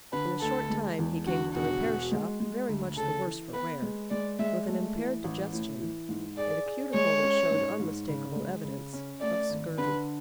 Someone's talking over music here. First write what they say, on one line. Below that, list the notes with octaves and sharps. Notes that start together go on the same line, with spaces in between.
In a short time he came to the repair shop very much the worse for wear, with an impaired digestion and a cuticle that showed unmistakable evidence of scurvy.
D3 B4
D2 A4
G#3
E2
D3 F#4
E1 F#4
E1
G#3
G#3
D2
C#3 A4
E3
B3 B4
G#3
G#3 D5
G#3 E5
A3
E3
A1
A2
E3
G#2
G#4 D5
G#4
G#3 C#5
C#4
G#2
G#2
C#3
G#3
C#3
C#4
A3 D5
G#1
D3 B4